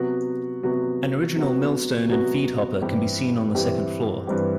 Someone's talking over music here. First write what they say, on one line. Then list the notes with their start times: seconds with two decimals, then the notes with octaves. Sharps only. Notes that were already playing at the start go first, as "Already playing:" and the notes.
An original millstone and feed hopper can be seen on the second floor.
Already playing: C3 F#3 B3 F#4
0.63 C3 F#3 B3 F#4
1.36 C3 F#3 B3 F#4
2.08 C3 F#3 B3 F#4
2.81 G2 E3 G3 C4 G4
3.55 G2 E3 G3 C4 G4
4.27 G2 E3 G3 C4 G4